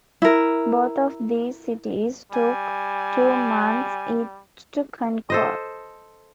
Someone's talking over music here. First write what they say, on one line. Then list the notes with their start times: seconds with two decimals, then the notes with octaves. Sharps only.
Both of these cities took two months each to conquer.
0.22 E4 A#4
2.32 G3 G#5
5.30 A4 C5 D#5